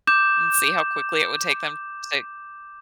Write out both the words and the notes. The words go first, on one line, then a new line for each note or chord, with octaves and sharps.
and see how quickly it would take them to say
D6 G6 E7